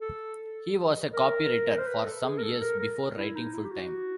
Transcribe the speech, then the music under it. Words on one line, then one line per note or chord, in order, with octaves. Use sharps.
He was a copywriter for some years before writing full-time.
A4
A#4
C5
B4
A4
G#4
A#4
A4
A#4
A#4
E4
D#4
E4
G4
F#4